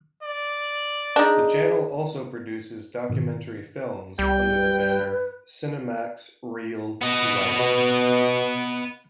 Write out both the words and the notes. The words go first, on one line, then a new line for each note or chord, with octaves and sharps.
The channel also produces documentary films under the banner "Cinemax Reel Life".
D5
D4 D#4 G#4
G#2 B2 D#3
C2 G3 G5
B4
B3 D#5
B2